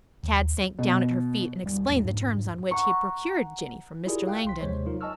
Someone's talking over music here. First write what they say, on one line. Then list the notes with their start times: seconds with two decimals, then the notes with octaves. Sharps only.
Tad sank down at her feet and explained the terms on which he had procured Jinny from Mr. Langdon.
0.23 D#2
0.79 B2
1.64 E1 G3
1.88 A1 E2 G#3 A#3
2.03 F2 G#2
2.71 F#5 A#5 C#6
4.06 E4 F4 G4 G#4 A#4 D5
4.27 F5 G5 F#6
4.45 B1 C6 B6
4.61 D#2 C3 G#3 C5 C#5
4.86 F#3 D#4 F4 A#4
5.01 D#5 G#5 A5 C#6 E6 F6